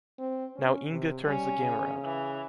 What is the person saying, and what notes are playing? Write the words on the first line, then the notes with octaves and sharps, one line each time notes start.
Now Inge turns the game around.
C4
C#4
C3
G3 C#4
C#3
E3